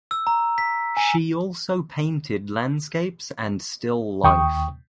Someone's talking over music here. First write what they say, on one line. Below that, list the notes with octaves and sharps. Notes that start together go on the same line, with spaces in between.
She also painted landscapes and still life.
E6
A#5
B6
G#5
D#2 G5 C#6 D#6